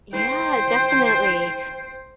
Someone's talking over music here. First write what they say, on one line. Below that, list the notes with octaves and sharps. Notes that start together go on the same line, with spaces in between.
Yeah, definitely.
C5 G5